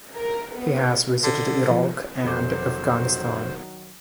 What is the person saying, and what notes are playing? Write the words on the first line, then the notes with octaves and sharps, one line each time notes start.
He has visited Iraq and Afghanistan.
A#4
B3
D3
F3
F1 B2 D#3 F#3 C5 D6